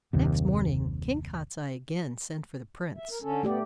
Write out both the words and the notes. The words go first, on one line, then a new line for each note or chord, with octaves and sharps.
Next morning King Kostiei again sent for the prince.
F#1 D#2 C3
E5
A#4
D3 C#4 A4
A3 B3 G4 D5